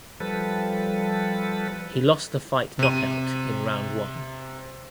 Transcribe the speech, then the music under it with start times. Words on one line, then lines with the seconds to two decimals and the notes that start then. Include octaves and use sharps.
He lost the fight knockout in round one.
0.20 F3 G3 A4 B4
2.79 C3 D#7